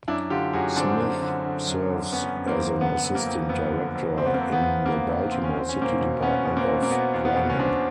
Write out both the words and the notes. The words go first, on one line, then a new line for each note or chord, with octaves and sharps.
Smith serves as an Assistant Director in the Baltimore City Department of Planning.
F#2 D4 E4
D3 F4 G4
F#2 F#4 G#4
D3 C4 D4
F#2
D3
D3
F#2
D3
F#2 B3 C#4
F#2
A#3 C4
F#2
D3 B3
F2
A#3
F2
F2 B3
D3
F2
F2 C4
B3
A#3 C4
F2
B3
F2
D3 A#3
F2 B3
D3 C4
C#4
E2 C4
C#4
B2 A#3 C4
B2
B2 B3 C#4
B2
A#3 C4
B2
A#3
B2 B3
E2
B3
B2
C#4
B2 C4 D4